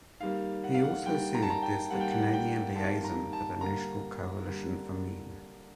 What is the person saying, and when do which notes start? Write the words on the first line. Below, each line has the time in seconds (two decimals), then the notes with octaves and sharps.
He also served as the Canadian Liaison for the National Coalition for Men.
0.20 D#3 G3 A#3 F5
0.64 F#5
0.74 F5
0.84 F#5
1.05 D#3 G3 A#3 G5
1.35 A#5
1.43 A5
1.50 A#5
1.62 G5
1.90 D#3 G3 A#3 F#5
2.01 G5
2.11 F#5
2.34 G5
2.75 D#3 G3 A#3 A5
3.04 A#5
3.33 A5
3.61 D3 G3 A#3 A#5
4.46 D3 G3 A#3